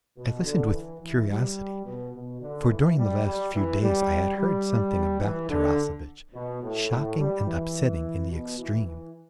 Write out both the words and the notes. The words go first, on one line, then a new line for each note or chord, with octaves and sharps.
I listened with curiosity--for during the last few days I had heard something about Tarasevitch--shocking and upsetting in the extreme.
B2
D3
E3
E3
G3
B2
B2
D3
E3
G3
G3
E3
G3
G3
E3
D3
B2
A2
A2
G3
E3
B2
E3
E3